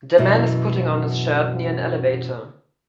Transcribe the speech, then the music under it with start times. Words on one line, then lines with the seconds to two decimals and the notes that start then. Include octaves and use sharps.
The man is putting on his shirt near an elevator.
0.18 F#2 B2 E3 E4